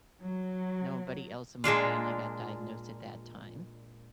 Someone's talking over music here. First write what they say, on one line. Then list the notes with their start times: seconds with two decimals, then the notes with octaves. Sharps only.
Nobody else in my family got diagnosed at that time.
0.24 F#3
1.64 A#2 G#3 D4 F4